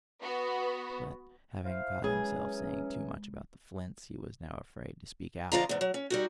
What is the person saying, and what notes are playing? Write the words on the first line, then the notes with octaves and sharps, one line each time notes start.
But having caught himself saying too much about the flints, he was now afraid to speak out.
B3 F#4
E4 C5 F5
E3 F#3 G#3 C#4 G#4
D3 F3 F4 D#5 A#5
E2 G#2
F#3
C#4
G3 D#4 F#4